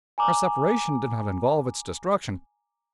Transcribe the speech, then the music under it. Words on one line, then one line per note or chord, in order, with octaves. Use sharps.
Our separation did not involve its destruction.
G#5 A#5 D6